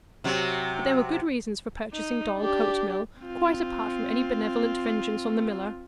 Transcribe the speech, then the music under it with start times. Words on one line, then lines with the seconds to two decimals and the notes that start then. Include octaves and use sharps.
But there were good reasons for purchasing Dorlcote Mill, quite apart from any benevolent vengeance on the miller.
0.24 C3 F#3
1.93 D#4
2.37 D4 G4
3.23 C4 F4